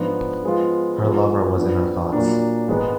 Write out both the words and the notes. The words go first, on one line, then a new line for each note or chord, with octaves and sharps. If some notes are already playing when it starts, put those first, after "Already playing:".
Her lover was in her thoughts.
Already playing: G#2 F3 B3 D4 F4
F3 G#3 B3 F4
F3 B3 F4
F3 B3 D4
A#2 F#3 A#3 D4
G#2 D#3 G#3 B3